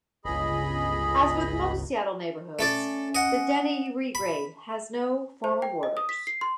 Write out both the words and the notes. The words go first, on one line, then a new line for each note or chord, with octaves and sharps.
As with most Seattle neighborhoods, the Denny Regrade has no formal borders.
G1 C#2 G#4 D#5 B5
A3 C#4 A4 D5
D#5 F#5
B5
C5
G5
D#5
D#6
B6
C7
C6